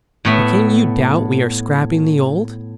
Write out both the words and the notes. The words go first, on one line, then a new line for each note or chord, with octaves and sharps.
"But can you doubt we are scrapping the old?..."
A2 B3 E5